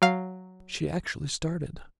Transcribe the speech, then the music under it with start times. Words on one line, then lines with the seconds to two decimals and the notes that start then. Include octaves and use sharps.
She actually started.
0.02 F#3 F5